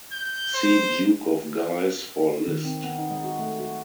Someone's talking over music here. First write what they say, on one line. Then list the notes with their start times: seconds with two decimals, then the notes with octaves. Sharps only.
See Duke of Guise for a list.
0.12 G6
0.54 C5
2.47 D#3
2.65 C4
2.84 B3
2.98 D#4
3.11 G#3
3.24 F#4
3.39 A3
3.60 F#4